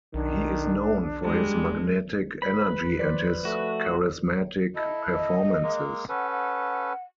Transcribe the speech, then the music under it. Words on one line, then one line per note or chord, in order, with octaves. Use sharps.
He is known for his magnetic energy and his charismatic performances.
B1 D#3 D4
G3 G#3
B4 B5
F3 C5 D5
A3 F#4
E4 A4 D#5
D#5
G#3 A#3
C#4 A4 B4 F#5
F#5